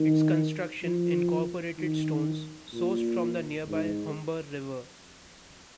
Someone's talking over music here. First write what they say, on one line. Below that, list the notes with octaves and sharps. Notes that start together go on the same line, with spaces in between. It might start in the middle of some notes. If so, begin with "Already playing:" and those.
Its construction incorporated stones sourced from the nearby Humber River.
Already playing: D#3
F3
D#3
A#2
G#2